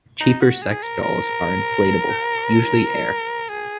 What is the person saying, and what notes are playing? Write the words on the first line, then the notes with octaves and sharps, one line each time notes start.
Cheaper sex dolls are inflatable, using air.
D#4
F#4
G#4
A#4
A#4
G#4